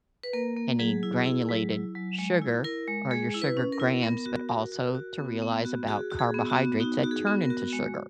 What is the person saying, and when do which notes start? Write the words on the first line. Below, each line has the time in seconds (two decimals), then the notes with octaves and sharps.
any granulated sugar, or your sugar grams, but also to realize about carbohydrates that turn into sugar
0.23 B4
0.33 A#3 A#4
0.57 A#3
0.79 F#3 G#4
1.03 E4
1.26 E4
1.49 F#3
1.72 E4
1.95 F#3
2.19 G#3
2.42 E4
2.64 E4 A#4
2.88 G#3
3.11 G#3 G#4
3.34 E4
3.42 B4
3.57 C#4
3.72 A#4
3.80 E4
4.03 B3 A#4
4.26 F#4
4.49 F#4
4.72 F#4
4.95 F#4
5.18 B3
5.42 B3
5.65 F#4
5.88 F#4 G#4
6.10 F#4
6.19 G#4
6.34 B3
6.50 F#4
6.58 B3
6.80 D#4 F#4
7.04 F#4
7.11 G#4
7.27 B3
7.42 A#4
7.50 F#4
7.73 G#3